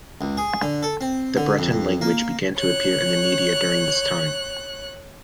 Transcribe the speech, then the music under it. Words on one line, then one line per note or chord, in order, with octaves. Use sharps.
The Breton language began to appear in the media during this time.
C#2
G#4
D3
A4
C4
D3
F2
F2
A#3
C#5 F#6